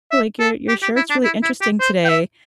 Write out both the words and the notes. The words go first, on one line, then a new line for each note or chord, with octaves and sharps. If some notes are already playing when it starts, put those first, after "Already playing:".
like your your shirt's really interesting today."
E5
A4
G4
G4
E4
D4
E4
E4
G4
C5
G5
E5